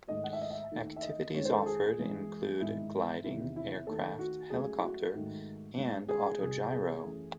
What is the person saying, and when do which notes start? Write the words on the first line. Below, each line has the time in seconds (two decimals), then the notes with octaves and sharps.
Activities offered include gliding, aircraft, helicopter, and Autogyro.
0.08 G#2 D#3 A3 D#5
0.24 F#5
0.33 E5
0.41 D#5
0.50 E5
0.72 D#2 D#3 A3
0.96 E5
1.03 D#5
1.34 F#2 D#3 G#3 C#5
1.45 C5
1.56 A4
1.66 G#4
1.98 F#2 E3 G#3
2.61 G#2 D#3 G#3 E4
3.24 E2 C3 D#3 E4
3.56 E4
3.87 D#2 D#3 A3 A4
4.19 F#4
4.50 C#2 C#3 F#3 A3 G#4
4.78 E4
4.82 F#4
5.14 G#2 D#3 A3
5.77 F#2 C#3 G#3
6.09 G#4
6.40 C2 C3 F#3 G#4
6.72 G#4
7.03 F#2 E3 A3